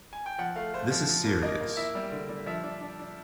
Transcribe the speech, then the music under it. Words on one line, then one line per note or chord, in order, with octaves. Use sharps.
This is serious.
G#5
G5
F3 F#5
A3 F5
A3 C5
F3
F3
A#3
A#3 D#5
A#3
E4 E5
G3
D3
G3
F3 E5
D4
D4
D4